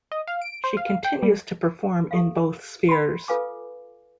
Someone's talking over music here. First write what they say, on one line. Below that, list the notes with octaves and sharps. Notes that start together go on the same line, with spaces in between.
She continues to perform in both spheres.
D#5
F5
D7
C5
F5
G5
G3
G4 A4 E5 F5
B5 C6
F4 A4 B4 F5 G#5 D6